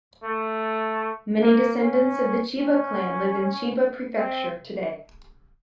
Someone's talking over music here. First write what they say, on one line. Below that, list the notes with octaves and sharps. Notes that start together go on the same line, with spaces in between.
Many descendants of the Chiba clan live in Chiba Prefecture today.
A3
A#3
C#4
C#4
C4